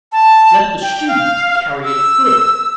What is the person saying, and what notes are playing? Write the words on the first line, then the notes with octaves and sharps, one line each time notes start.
Let the student carry it further.
A5
G5
F5
E6